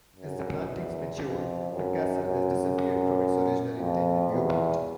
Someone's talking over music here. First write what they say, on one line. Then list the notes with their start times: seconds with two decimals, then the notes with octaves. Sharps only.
As the plantings matured, the castle has disappeared from its original intended viewpoint.
0.16 F#2
0.68 E2
1.20 F2
1.71 F#2
2.22 F#2
3.78 F2
4.30 E2